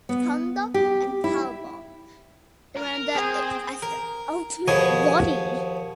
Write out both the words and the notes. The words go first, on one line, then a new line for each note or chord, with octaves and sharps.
Thondup and Talbott render it as the "ultimate body".
B3
G4
E4
A#4
C4 G#4
A#4
D#2 B2 F3 G#4 D#5 G#5